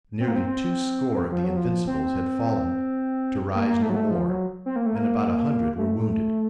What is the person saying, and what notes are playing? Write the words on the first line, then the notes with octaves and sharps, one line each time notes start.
Nearly two score of the Invincibles had fallen to rise no more, and about a hundred were wounded.
C4
A#3
C4
C4
F3
F#3
F3
C4
A#3
A#3
A3
F#3
A3
F3
F#3
C4
A#3
A3
A#3
A3